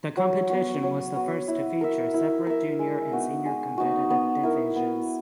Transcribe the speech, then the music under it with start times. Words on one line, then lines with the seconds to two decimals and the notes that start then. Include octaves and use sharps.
The competition was the first to feature separate junior and senior competitive divisions.
0.17 F#3
0.50 B3 F#4
0.83 F#3
1.16 B3 F#4
1.48 E4
1.81 A#4 E5
2.14 E4
2.47 A#4 E5
2.79 G#3
3.12 B3 D#4 F#4
3.45 G#3
3.78 B3 D#4 F#4
4.10 B3
4.43 E4 A#4
4.76 B3